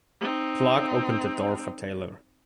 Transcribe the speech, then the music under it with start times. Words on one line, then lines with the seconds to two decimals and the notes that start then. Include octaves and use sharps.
Clark opened the door for Taylor.
0.21 C4 D#4